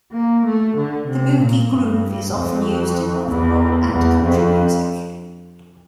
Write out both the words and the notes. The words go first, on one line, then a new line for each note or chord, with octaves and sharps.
The boogie groove is often used in rock and roll and country music.
A#3
A3
D3
C3
A#2
G2
F2
E2
E2
F2